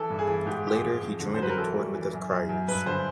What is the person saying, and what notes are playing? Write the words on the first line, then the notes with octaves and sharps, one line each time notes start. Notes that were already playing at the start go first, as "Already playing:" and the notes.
Later he joined and toured with the Cryers.
Already playing: E3 A4
G2
G#4
E3
G#2 G4
F3 G4
G#4
F3
F2
D3
C5
F#3 B4
A#4
E3 A4
G3
E3
F#2
F#2
F#2
G2 B4
D3 C5